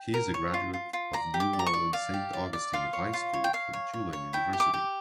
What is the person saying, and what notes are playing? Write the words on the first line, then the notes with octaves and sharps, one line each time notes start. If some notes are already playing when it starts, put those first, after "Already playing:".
He is a graduate of New Orleans' Saint Augustine High School and Tulane University.
Already playing: G5
A#4
C#5
F4
F4
F4
D5 A#5
G4
D6
D5
A#5
C#6
D5
D5 F5
G4
D5
D5
F4 F5
C#5
F4
C#5
G5
C#5 F5
C#5
C#5
C#5
E4 G5
G4
D6
G4